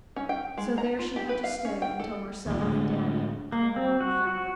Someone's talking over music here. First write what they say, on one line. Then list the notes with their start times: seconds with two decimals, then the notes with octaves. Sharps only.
So there she had to stay until Marcella and Daddy came along and found her.
0.16 C#4
0.29 G5
0.57 G#3
0.78 A#5
0.99 F4
1.16 G4
1.29 B4
1.44 F5
1.65 C#4
1.82 G5
2.00 A4
2.46 A#1 D#2
2.60 A2 D3 G#3
3.52 A#3
3.76 C4
4.00 F#4
4.27 F#4